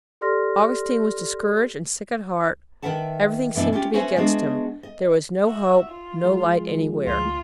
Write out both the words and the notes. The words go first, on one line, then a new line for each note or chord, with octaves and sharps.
Augustine was discouraged and sick at heart; everything seemed to be against him; there was no hope, no light anywhere.
G4 A4 D5 C6 F6 A#6
D#3 A#4 B4 E5 F#5 A5
F#2 B2 E3 B3 D4 E5
C#4 F4 G4
C#4 F#4 B4 C5 E5 G#5
G#3 B3 D4 F#4 G#4
D#5
F#4 E5
F4
F3 G#3
D2 F4